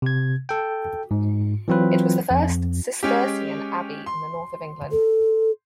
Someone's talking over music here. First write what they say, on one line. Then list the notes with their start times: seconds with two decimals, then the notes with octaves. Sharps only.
It was the first Cistercian abbey in the north of England.
0.02 C3 G#6
0.49 A4 G5
1.11 G#2
1.68 E3 F#3 C4 F4 B4
2.31 F2
3.03 G#3 C#4 G4
4.06 C6
4.92 A4